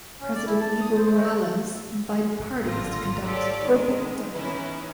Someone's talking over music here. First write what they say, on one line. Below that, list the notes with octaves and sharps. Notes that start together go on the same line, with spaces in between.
President Evo Morales invited parties to conduct "open dialogue".
C#4
D5
E4
A5
D#6
C5
A3
A4
G#1 A2 D3 F4 A#5 A#6
F4 G4 A4 C#5 D5
D3 D#3 G#3
E3 B3 C#4 D#4 E4